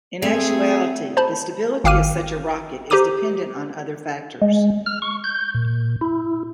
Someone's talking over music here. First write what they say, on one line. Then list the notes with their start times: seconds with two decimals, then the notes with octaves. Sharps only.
In actuality, the stability of such a rocket is dependent on other factors.
0.22 A3 C4 G#4
1.17 C5 A5 B5
1.84 G#1 F5 G5 D6 F6 D#7
2.90 G4 C5 A#5 D6 D#7
4.42 G#3
4.86 F6
5.02 C#6
5.24 G6
5.55 A#2
6.01 E4